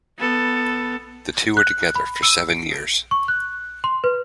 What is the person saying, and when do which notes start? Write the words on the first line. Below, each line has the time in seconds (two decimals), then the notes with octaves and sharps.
The two were together for seven years.
0.19 B3 A4
1.57 F#6
1.95 B5
2.23 E6
2.50 D7
3.11 C#6
3.28 F#6
3.84 C6
4.04 B4